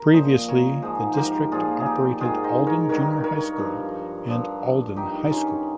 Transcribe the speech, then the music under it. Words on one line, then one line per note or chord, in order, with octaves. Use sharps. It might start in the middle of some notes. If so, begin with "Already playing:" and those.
Previously the district operated Alden Junior High School and Alden High School.
Already playing: A#4
A#2 F3 C5 D#5
A#4 C#5
G#2 F3 G#4 C5
G4 A#4 C5
A#2 F3 F4 G#4
G#4
D#4 G4
G#2 D#3 F4 G#4
C5 D#5
A#4 C#5
G2 D#3 A#4 C#5
A#4 C#5
G2 F3
G2 F3
G2 D#3 D#4 G4
C#4 F4